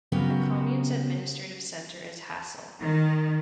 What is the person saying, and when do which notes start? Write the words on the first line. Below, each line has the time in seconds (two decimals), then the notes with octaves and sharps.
The commune's administrative centre is Hassel.
0.12 C#3 F#3 B3 C#4 G4 A#4
2.81 D#3